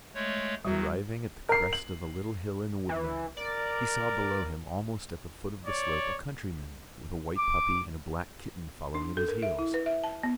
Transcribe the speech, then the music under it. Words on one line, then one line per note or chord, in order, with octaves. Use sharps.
Arriving at the crest of a little hill in the woodland, he saw below him, almost at the foot of the slope, a countryman with a white puppy and a black kitten following at his heels.
G#3 A3 C#5
D#3 F#3 G3 F#4 E5
A#4 C7
F#7
E3
A#4 D5
C#5 D5
D6
D4
A4
A#4
E5
E4
B4
E5
A5
B3